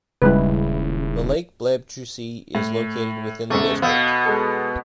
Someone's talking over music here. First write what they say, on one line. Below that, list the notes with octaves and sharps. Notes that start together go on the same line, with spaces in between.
The lake Bleibtreusee is located within the district.
D#1 C#3 G3 G#3 E4 B4
A2
E2 G#2 C#3 A3
B2 B3 F5 E6 G6
G#3 A4